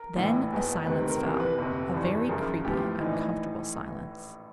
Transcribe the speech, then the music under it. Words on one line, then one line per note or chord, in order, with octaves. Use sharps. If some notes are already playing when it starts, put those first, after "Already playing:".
Then a silence fell . . . a very creepy, uncomfortable silence.
Already playing: A#4
A#1 A2 E3
F1 E2 B2
D2 C3 D#3 B4
A#4
A#4
C2 C3 E3 A#4
B4
G1 F2 C3
G#1 G2 E3
G#1 F#2 C#3 F3 A#4
A1 A2 F3 G4
A#1 A2 E3 D#4